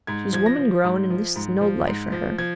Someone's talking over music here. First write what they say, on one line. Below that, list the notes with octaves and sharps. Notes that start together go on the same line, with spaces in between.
She's woman grown and this is no life for her.
G#2 G#6
F3 G#6
A#6
F3
G#2
F3
G#2
F3
G#2
F3
F3 G#6